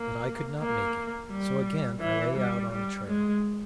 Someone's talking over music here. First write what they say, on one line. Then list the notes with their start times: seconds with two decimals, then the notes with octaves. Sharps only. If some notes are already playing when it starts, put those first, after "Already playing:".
But I could not make it, so again I lay out on the trail.
Already playing: A#3
0.60 A#3
1.30 G3
2.00 E3
2.36 G3
2.71 G3
3.07 G#3